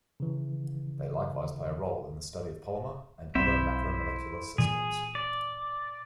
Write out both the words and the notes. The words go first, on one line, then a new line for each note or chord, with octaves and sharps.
They likewise play a role in the study of polymer and other macromolecular systems.
C#3 E3
B1 C4 E4 C5 E5
A#2 E3 G#4
D5